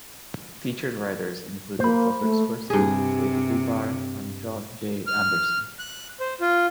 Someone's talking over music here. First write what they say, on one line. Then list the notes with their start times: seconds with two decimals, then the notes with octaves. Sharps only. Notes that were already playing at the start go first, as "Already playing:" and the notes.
Featured writers included Robert Swirsky, David Lubar, and John J. Anderson.
1.80 A#3 C5 B5
2.20 A3
2.70 G2 C3 G#4
5.07 F6
5.79 F#6
6.20 C5
6.41 F4